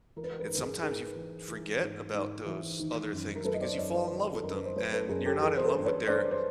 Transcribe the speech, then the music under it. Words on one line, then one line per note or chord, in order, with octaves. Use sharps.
it's sometimes you forget about those other things because you fall in love with them, and you're not in love with their
E3 A#4
B4
A#4
B4
A#4
G#2
B4
G#4 A#4
G#2 G#4 A#4
E3
E3
G#2
G#2
E3
D#3
F#2
A#4
F#3 A4 B4
D#5
C5 D5
F#2 C#5 D#5
C5 D5
D#3
A4
F#2 A#4
B4
C5
F#3 B4 C#5
A4 B4
F#2 G#4 A#4
G4 A4
E3 G#4 A#4
C5
A4 B4
G2
B4 C#5
G2 C5 D5
C5